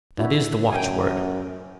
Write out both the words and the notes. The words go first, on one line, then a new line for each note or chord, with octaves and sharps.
That is the watch-word.
D4 E4 F#4
F#2 G5 G#5